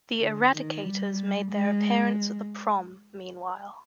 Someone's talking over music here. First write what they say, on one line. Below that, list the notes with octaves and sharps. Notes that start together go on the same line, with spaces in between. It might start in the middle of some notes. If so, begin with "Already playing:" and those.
The Eradicators make their appearance at the prom, meanwhile.
D3
D#3
G3
G#3